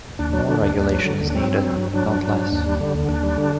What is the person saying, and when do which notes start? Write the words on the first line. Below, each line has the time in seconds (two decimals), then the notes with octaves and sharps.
More regulation is needed, not less.
0.19 D#2 D4
0.33 F#3
0.48 D3
0.62 D#2
0.77 D#2
0.92 F#3
1.06 D3
1.21 D#2
1.30 D4
1.34 F#3 C4
1.49 G2
1.64 F#3
1.78 G2
1.93 F#3 D4
2.08 G2
2.23 F#3
2.37 G2
2.52 D#2
2.66 G3
2.80 D3
2.95 D#2
3.09 D#2 D4
3.23 G3
3.38 D3